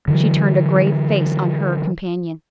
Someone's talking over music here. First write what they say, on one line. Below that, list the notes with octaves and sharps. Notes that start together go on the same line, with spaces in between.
She turned a grave face on her companion.
D3 E3 F#3